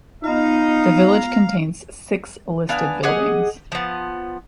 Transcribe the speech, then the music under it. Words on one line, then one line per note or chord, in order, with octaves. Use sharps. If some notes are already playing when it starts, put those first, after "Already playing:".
The village contains six listed buildings.
B3 D#4 F4 F5 A#5
B3 D4 F5 G#5
G4 G#4 D#5 F#5
F3 B3